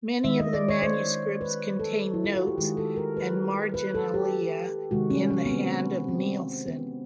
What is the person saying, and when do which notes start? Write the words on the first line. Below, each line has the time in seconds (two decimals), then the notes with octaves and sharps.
Many of the manuscripts contain notes and marginalia in the hand of Neilson.
0.24 D#3 G#3 E5
0.39 D#5
0.53 D5
0.68 C#5
0.82 C5
1.41 B4
1.79 A4
2.14 E4
2.24 F4
2.35 F#4
2.47 G4
2.58 D#3 G#3 G#4
2.77 A4
2.96 A#4
3.17 B4
3.74 B4
3.95 A4
4.14 G4
4.91 C3 D#3 G#3 F#4
5.10 C#4
5.31 C#4
5.45 B3
5.50 C4
6.08 C4
6.67 B3